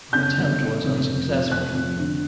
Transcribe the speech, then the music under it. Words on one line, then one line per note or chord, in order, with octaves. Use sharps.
My attempt was unsuccessful.
C#3 G6
G1
C#3
F1
F1
F2
F2 F#6
F2
D3